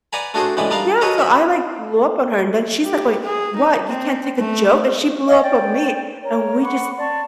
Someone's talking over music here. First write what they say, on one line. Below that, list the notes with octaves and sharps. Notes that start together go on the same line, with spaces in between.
Yeah, so I, like, blew up on her, and then she's like, going, "What? You can't take a joke?" And she blew up on me, and we just
B4 D5 F#5 G#5 A#5 B5
A3 D4 F#4 G#4 A4 C5
C#2 A2 E3 G#3 D5 B5
G3 D4 D#4 A#4 D5 F5
F#4 G#4 A4 B4 C#5 D#5
A#4 E5 G5 B5
G4
G#4
D#4
C4
A3
C#5 D#5 F5
D5 G5
A#4 C#5
F#5 B5 C#6 D6
D5 A5 C6 C#6